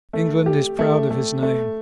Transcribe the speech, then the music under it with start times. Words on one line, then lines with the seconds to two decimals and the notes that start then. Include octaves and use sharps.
England is proud of his name.
0.13 A3
0.46 G4
0.79 A3
1.10 A3
1.42 A3